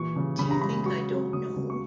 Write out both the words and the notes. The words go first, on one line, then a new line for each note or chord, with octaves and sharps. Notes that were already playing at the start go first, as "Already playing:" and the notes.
Do you think I don't know?
Already playing: A#2 E3 C#6
C#3
C#3 B5
A#5
G#3 B5
F#3 C#6
F#3
C#3 D#6
C#3
C#6